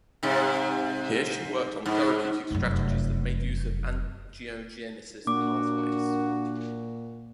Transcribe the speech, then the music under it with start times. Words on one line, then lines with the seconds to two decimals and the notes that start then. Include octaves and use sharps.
Here she worked on therapeutic strategies that made use of angiogenesis pathways.
0.23 G#2 C3
1.86 G#2
2.50 F1 F#2
5.27 A#2 A#3 D4 F#4 D6